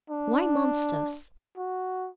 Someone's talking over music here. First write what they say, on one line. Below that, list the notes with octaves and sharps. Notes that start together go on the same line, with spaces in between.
Why monsters?
D4
F#4